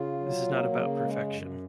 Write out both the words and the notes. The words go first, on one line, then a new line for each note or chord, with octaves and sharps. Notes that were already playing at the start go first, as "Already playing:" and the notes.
This is not about perfection.
Already playing: C#3 F4
F#3
A#3
C#3
G#3
F#2